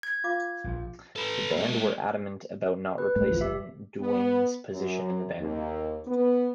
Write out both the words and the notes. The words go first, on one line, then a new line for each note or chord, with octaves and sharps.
The band were adamant about not replacing Duane's position in the band.
G#6
F4 F5 D6
A#1 E3 F3
A4 B4
G#3 A4
B4
G#2 G#3 A3
A1 D2 F3
F1 G4 E5
B3
F#2
D#2
B3